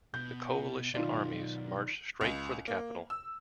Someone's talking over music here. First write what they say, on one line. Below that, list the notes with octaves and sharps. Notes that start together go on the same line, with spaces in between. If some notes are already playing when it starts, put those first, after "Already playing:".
The Coalition armies marched straight for the capital.
B2 G6
B1 D#3 F4 D5
C#2
A#3
E6